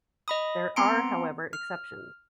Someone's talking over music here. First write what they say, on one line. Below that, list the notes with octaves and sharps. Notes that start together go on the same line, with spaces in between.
There are however exceptions.
D#5 B5 D#6
B3 C4 A#5 C6 C#7 D7
F6